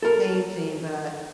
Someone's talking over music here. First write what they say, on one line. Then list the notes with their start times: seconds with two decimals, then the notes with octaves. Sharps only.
painting, but,
0.03 A4 A#4